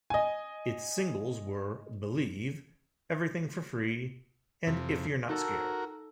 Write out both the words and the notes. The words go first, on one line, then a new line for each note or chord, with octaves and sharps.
Its singles were "Believe", "Everything for Free", and "If You're Not Scared".
D#5 G#5
F2 C3
D#4 F#4 A4 A#4